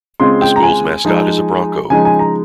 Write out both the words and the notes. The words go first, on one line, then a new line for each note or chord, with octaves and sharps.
The school's mascot is a Bronco.
C#3 G#3 C4 F4 C6
G5
A#5
G#5
F3 G#3 D#4
C#3 F3 G#3 D#4 G#5
G#5
A#5